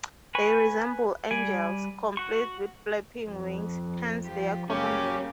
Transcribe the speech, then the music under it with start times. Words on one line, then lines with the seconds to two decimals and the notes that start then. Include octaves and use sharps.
They resemble angels, complete with flapping "wings", hence their common name.
0.35 B4 G#5 B5 C#6
1.31 G3 D5 G#5
2.17 F#4 C#6
3.27 F2
4.25 F3 G4
4.70 F#2 C#3 A#3 C#4 G4